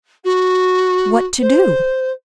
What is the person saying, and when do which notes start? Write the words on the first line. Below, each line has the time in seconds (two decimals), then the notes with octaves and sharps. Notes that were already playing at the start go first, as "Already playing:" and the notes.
"What to do?"
0.24 F#4
1.41 C5